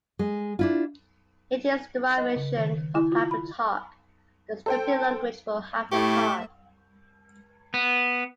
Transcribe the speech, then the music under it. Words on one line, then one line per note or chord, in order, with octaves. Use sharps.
It is a derivation of HyperTalk, the scripting language for HyperCard.
G#3
D4 E4 F4
D#5
C#3
D#3
E4
F4
B5
A4 C5 G5
A2 A3 G4 E5 C#6
B3